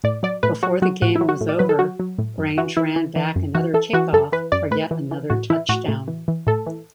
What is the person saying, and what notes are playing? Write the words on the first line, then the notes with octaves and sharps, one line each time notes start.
Before the game was over, Grange ran back another kickoff for yet another touchdown.
A2 D5
F#3 D5
A2 B4
F#3 F#4
F#3 F#4
A2 F#4
E4
F#3
F#4
A2
D5
F#3 B4
A4
F#3 F#4
F#3
A2
F#2
E3 F#4
E3 E4
E3
E3
F#2
E3 F#4
E3 A4
E3 F#4
F#2 A4
E3 B4
F#2 D5
A2 B4
E3
E3
A2 F#4
E3 E4
A2 F#4
A2
E3
E3
A2 A4
E3